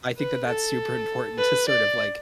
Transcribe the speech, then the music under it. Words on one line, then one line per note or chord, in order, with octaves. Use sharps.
I think that that's super important to sort of, like,
B4
A4
B4
D5